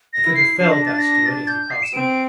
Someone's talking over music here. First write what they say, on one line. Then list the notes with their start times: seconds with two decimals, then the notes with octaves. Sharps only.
I could have felled that steward as he passed me.
0.13 A#6
0.24 E4
0.35 C7
0.58 D4 C7
0.71 A#6
0.86 A6
0.99 A#6
1.26 A6
1.47 G6
1.70 C7
1.83 E7
1.93 C4 D7